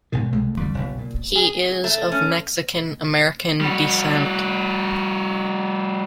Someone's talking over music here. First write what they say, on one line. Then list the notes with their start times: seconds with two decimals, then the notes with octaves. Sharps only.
He is of Mexican-American descent.
0.12 G#1 G#2 B2 D#3
0.32 C2 G#3 A3
0.57 F2 D3 D#3 G3
0.75 F#1 B1
0.99 A#2
1.36 G#4
1.84 A3
2.12 C#4
3.61 G3 F#4